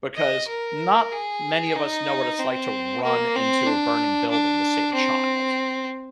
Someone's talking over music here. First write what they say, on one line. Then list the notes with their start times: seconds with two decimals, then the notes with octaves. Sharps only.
because not many of us know what it's like to run into a burning building to save a child.
0.15 D#5
0.48 A#4
1.11 G#4
1.75 D#4
2.39 C4
3.03 A#3
3.35 C4
3.66 D4
4.31 D4
4.94 C4